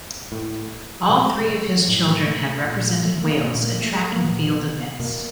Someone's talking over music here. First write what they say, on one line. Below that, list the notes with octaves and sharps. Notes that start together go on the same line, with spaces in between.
All three of his children have represented Wales at Track and Field events.
A2
B2 G#3
A3
G#3
A3
A2
A3
A#2
A3
A#3
A#2 A3
A#3
A3
G#3
A3
A#3
A#2 B3
B2 A#3